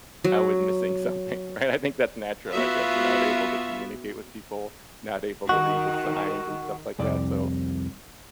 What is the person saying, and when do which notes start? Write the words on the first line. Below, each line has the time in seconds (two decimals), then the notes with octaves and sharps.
I was missing something, right? I think that's natural, I guess. You're not able to communicate with people, not able to read the signs and stuff like that, so,
0.24 F#3
2.52 B3 F4 F#4 E5
5.49 D#3 F#4
6.99 C2 F2 D5